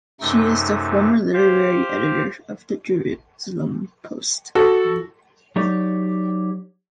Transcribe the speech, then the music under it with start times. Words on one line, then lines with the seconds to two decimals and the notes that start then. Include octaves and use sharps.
She is the former literary editor of the Jerusalem Post.
0.21 F#2 C3 A3 D#4
1.33 G4 C5 F5
4.55 F#4 A4
5.56 F#3 D#4 G4 C#5 D5